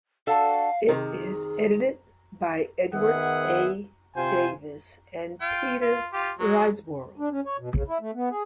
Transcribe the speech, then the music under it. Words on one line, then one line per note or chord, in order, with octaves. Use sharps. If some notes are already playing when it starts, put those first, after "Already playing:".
It is edited by Edward A. Davis and Peter Riseborough.
D4 F#4 A4 F5
C3 D#3 G#4
D#3 B3 G#4 E5 F#5
C3 F4 C5 G5 G#5
F4 G5
F4
F4 G4
F#3 G#3
D4
C#4
C#5
B2
C#3
E4
A3
B3
G#4